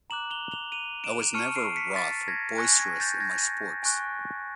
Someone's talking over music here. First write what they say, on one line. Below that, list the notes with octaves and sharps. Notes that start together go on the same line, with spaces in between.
I was never rough or boisterous in my sports.
A#5 D6 F#6 E7 F#7
F7 G7
F7 G7
D#7 F7
D7 E7
A5 C#6 F6 C#7 D#7
C7 D7
B6 C#7
A6 B6
G#6 A#6
G#5 C#6 F#6 G#6 A#6
G#6 A#6
G6 A6
G#6 A#6
G#5 C#6 F#6